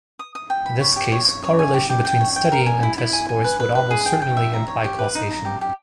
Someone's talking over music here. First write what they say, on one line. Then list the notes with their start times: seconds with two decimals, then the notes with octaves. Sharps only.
In this case, correlation between studying and test scores would almost certainly imply causation.
0.19 D#6
0.35 D#6
0.50 G5
0.66 B5
0.81 C#5
0.96 G4
1.12 C#5
1.28 C#5
1.44 C#5
1.59 G#5
1.74 G4
1.90 G4
2.05 G5
2.21 C#5
2.36 G5
2.52 A#4
2.66 G#5
2.83 E4
2.98 E4
3.13 G#5
3.29 G#5
3.44 B4
3.60 B4
3.75 B4
3.91 G#4
4.06 G5
4.22 G5
4.37 E5
4.53 A#5
4.68 C#5
4.84 G4
4.99 B4
5.15 D#4
5.31 A#5
5.45 G4
5.61 G4